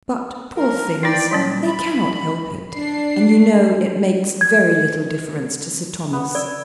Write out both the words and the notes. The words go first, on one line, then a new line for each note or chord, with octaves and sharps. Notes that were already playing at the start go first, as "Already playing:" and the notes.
But, poor things! they cannot help it; and you know it makes very little difference to Sir Thomas.
F3 A#4
D#4 E4 D5 G5
A#2 F#3 G3 C#4
B5
D4 C7
G#6
B3
D5 E6